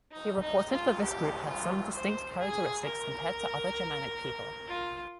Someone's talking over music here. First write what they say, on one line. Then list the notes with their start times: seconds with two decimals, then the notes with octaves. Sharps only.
He reported that this group had some distinct characteristics compared to other Germanic people.
0.11 D#4
0.41 D#4
0.72 F4
1.02 G4
1.48 F4
1.93 C5
2.39 G#4
2.85 A#4
4.67 F4